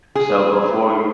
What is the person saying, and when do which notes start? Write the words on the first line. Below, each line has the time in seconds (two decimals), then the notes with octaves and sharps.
So, before y
0.15 G#4